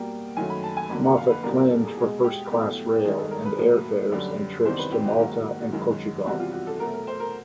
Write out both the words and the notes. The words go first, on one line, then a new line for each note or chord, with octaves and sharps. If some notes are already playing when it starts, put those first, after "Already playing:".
Moffat claimed for first-class rail and air fares and trips to Malta and Portugal.
Already playing: B2 G3 A#3 G5
F#2 D#3 F#3 A3 G#5
B5
A5
G#5
F2 D3 F#3 A#3 B5
F#5
F5
B4
E2 B2 G3 A#3 A#4
A#4
A4
G#4
B2 G#3 G#4
G4
E2 B2 F#3 A3
G2 D#3 G#3 G#4
A4
A#4
B4
A2 F#3 A#3
F#2 D3 G3
E2 C3 D#3 G3 C5
B4
G4
F#4
G#2 D#3 F#3 A#3 F#4
F#4
F#4
F#4
F#2 D#3 G#3
E2 C3 E3 G3 F#4
F4
F#4
A4
B2 F#3 A3 A#4
A#4
C5
A#4